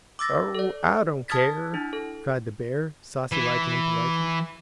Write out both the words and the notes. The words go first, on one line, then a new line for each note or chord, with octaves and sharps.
"Oh, I don't care!" cried the bear, saucy like and impolitely.
D6 E6 A6 A#6
A4 D5
A5 D#6 F6 G#6 A6 B6
D4 E4
A4
E3